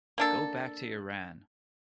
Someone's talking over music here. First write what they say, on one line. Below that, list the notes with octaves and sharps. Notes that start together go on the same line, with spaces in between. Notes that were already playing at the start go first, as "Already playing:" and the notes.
Go back to Iran!
A#3 D4 A4